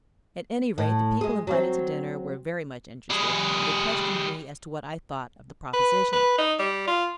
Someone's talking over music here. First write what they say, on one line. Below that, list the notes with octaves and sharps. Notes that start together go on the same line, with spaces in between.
At any rate the people invited to dinner were very much interested, and they questioned me as to what I thought of the proposition.
A2
G#3 G#4
F#3 C4
G3 G#4
B4
B4
D#4
G3
F4